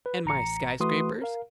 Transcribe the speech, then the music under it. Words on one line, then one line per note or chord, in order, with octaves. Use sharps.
"And my sky-scrapers?"
B4
A1 A#5 C#7
E3 A3 F#4 B4 C6 D#6
A#4 F5